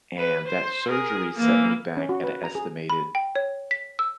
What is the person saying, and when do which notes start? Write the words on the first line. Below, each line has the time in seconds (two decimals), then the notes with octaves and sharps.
And that surgery set me back at a estimated
0.17 B4
0.47 C5
0.88 G#4 A#4
1.37 E3 A#3
1.97 C#4
2.09 F#4
2.24 B4
2.44 A#5
2.55 G#4
2.90 B5
3.15 G5
3.36 C#5
3.71 B6
3.99 E6